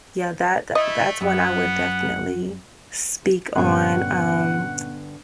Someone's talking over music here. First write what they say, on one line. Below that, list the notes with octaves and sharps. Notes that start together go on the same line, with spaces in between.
yeah, that th that's one I would definitely speak on, um,
A3 E4 D#5
F#2 B3 F#5
G2 A#2 D3 B3 C#4 G4 F#5 C#6